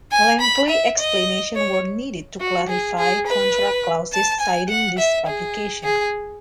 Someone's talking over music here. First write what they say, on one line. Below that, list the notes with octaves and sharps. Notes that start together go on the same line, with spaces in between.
Lengthy explanations were needed to clarify contract clauses citing these publications.
G#5
B5
E5
D#5
C#5
F#4
G#4
G#4
B4
A5
G#5
F#5
E5
G#4
G#4